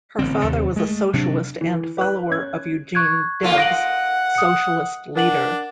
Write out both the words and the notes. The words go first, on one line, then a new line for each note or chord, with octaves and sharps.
Her father was a socialist and follower of Eugene Debs, socialist leader.
A1 D3 C4
D#2 C3
G#3 A3
C3 F#3 D4
E3
B4 F#6
C#4 G#6
C#6 F#6 G#6
A#3 F4 A4
D#5 F#5 A#6 D7 F#7
D#6 C#7
D4 A#4 F#5 F#7